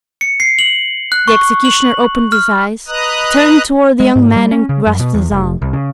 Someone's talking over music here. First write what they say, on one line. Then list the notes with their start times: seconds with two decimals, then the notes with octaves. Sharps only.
The executioner opened his eyes, turned toward the young man and grasped his arm.
0.21 C#7
0.40 C7
0.59 F#7
1.12 F#6
1.28 C#6
1.65 F#7
2.32 F6
2.88 B4 D#5 A#5 D#6 F#6
4.00 G#3
4.16 G#2
4.36 G3
4.51 C#4
4.69 C#3
4.87 F#2
5.00 B2
5.14 E2
5.31 F1
5.62 C2
5.73 C#3